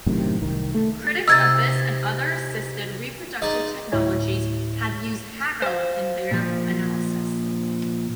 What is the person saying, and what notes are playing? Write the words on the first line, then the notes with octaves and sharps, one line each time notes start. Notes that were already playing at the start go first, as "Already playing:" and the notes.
Critics of this and other assisted reproductive technologies have used Hagar in their analysis.
F#2 A2 C3 D#3
C2 D#3
A3
C3 D#4 E6 G#6 A6
G#3 D#4 D5
D2 A2 E4 C#5
C5 F5
A#2 F3